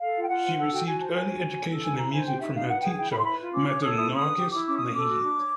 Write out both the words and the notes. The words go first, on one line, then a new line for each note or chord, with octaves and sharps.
She received early education in music from her teacher, Madam Nargis Naheed.
A4 F5
F4
G5
F4 F#5
C5
A4 F#5
F#4 G5
F#4 G#5
C5 A5
A#4 G#5
F#4
F#4
C#5
A4
E4 G#5
E4 A#5
C5 G#5
G4 G5
D#4 E5
D#4 F5
B4 F#5
G#4 G5
E4 G5
E4 B5
C6
B4 B5
F4
C#4 D6
C#5 D6
A4 D#6
E4 D#6
C#4
D#6
B4
G4
E4 D6
C#4 D6
C#4 D#6
A4 D6
F#4
D4
C#5